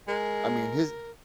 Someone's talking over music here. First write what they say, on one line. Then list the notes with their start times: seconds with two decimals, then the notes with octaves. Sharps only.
I mean, his
0.08 G#3 A#4